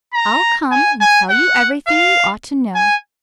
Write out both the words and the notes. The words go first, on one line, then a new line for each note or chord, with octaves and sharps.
I'll come and tell you everything you ought to know.
A#5
G#5
G#5
F#5
F5
G#5